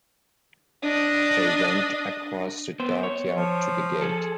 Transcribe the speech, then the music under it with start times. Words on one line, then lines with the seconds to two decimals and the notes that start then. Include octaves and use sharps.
They went across the dark yard to the gate.
0.83 D4 D#5
2.80 B3 C5
3.03 C#5
3.36 F3
4.02 G#4 A4